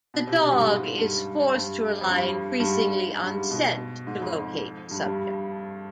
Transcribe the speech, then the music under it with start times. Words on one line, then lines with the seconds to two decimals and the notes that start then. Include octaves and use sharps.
The dog is forced to rely increasingly on scent to locate the subject.
0.14 B2
0.27 C3
0.42 B2
0.52 G2
0.60 G#2
0.98 G2
1.55 G2
2.01 F2
2.10 G2
2.60 G2
2.66 G#2
3.23 G2
3.37 G#2
3.51 B2
4.07 G#2
4.22 F2
4.35 F2
4.91 G2
5.05 G2